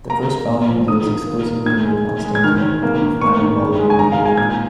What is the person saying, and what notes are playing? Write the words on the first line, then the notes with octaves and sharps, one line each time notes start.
The first volume deals exclusively with Constantinople, the final volume with Egypt.
A#3 A#5
A#3
A#2
F3
D#3 D#6
D#3
A#3
A#3
D#3 G#6
G#3
G#3
G#3
G#6
D#3 F6
D#3
A#3
D#3
A#3 C#6
D#3
C#3
G#3
G#5
D#3 A#5
F5
G#3
G#5
A#2 G#6